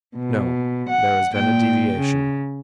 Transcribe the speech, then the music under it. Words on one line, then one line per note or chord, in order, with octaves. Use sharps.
No, there has been a deviation.
B2
F#5
A#2 G5
C#3